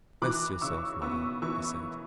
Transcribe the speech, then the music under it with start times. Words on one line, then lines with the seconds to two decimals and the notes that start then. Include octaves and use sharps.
"Rest yourself, mother," he said.
0.22 E3 D6 F#6
0.61 C#3 C#6 E6
1.02 B3 C#6 E6
1.42 E3 C#6 E6